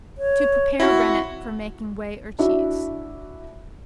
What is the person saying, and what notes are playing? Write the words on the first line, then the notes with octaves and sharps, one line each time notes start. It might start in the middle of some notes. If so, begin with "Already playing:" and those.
To Prepare Rennet for making Whey or Cheese.
C#5
C4 E4 F#4
D4 E4 F#4 E5